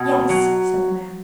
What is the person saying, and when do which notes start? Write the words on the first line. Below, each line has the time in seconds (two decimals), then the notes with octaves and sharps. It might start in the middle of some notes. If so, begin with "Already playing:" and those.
"Yes," said the man.
Already playing: B2
0.29 F#3